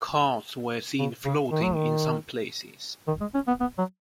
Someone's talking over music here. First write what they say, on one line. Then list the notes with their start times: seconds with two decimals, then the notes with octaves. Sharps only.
Cars were seen floating in some places.
0.99 C#3
1.25 C#3
1.50 D#3
1.63 F#3
1.75 D#3
3.07 D#3
3.21 G#3
3.35 C#4
3.47 B3
3.60 B3
3.78 F#3